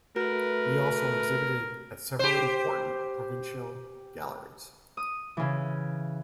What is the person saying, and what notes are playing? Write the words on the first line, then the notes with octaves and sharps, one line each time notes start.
He also exhibited at several important provincial galleries.
A3 F#4 A#4 B4
G4 C5
D#6
C#3 E3